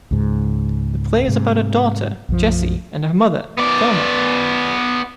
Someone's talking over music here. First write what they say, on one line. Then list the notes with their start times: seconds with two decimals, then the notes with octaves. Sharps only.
The play is about a daughter, Jessie, and her mother, Thelma.
0.11 C#2 G#2
1.28 G#2 C3
2.29 B1 F#2 F3
3.57 B3 D5